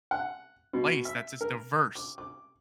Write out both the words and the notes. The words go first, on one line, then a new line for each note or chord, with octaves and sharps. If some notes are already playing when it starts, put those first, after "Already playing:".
place that's just diverse
F#5
B2
E5
A#4
D6
D6